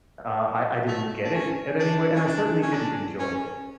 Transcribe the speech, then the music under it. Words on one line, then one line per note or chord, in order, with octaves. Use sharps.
Uh, I I didn't get it at any way, and I certainly didn't enjoy it.
A3
D4
C#4
D4
C#4
D4
C#4
D4
C#4